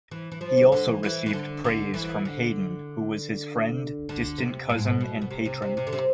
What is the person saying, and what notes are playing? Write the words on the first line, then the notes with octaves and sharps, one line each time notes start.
He also received praise from Haydn who was his friend, distant cousin and patron.
E3
E3
F3
D3
D3
E3
E3
E3
D3
D3
E3
D3
D3
C3
A2
G#2
A2
B2
B2
C3
C3
C3
C3
D3
C3